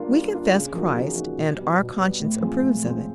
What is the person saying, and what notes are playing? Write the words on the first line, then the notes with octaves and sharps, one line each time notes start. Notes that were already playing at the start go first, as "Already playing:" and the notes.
We confess Christ and our conscience approves of it.
Already playing: G3 A#3 D4 F4
G3
A#3 D4 F4
C#3
F3 A#3 D#4 F#4
C#3
F3 A#3 D#4 F#4
B2
G3 B3
B2
G3 B3
A2
F3 G#3 C4 F4
A2
F3 G#3 C4 F4